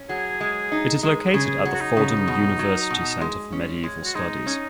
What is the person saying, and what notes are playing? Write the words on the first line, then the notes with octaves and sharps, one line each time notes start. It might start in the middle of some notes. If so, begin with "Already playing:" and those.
It is located at the Fordham University Center for Medieval Studies.
Already playing: C#4
F#3 G#4
G#3
D#4
G#3
C#3 G#4
F#3
F#4
D#4
C#3
B2
F#3
B2
G#3
C#4
G#3
F#4
G#3 D#4
C#4